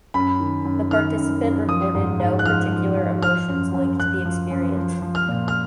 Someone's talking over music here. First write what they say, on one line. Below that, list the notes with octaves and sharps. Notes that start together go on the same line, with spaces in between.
The participant reported no particular emotions linked to the experience.
F#2 B5
D#3
F#2
D#3 F6
F#2
F#2
F3 D#6
G#2
G#2
F#6
F3 F6
F3
F3
F3 F6
F#2
F#2
F#2 F#6
F3
F#2
F3
F3
F6
A#2
F6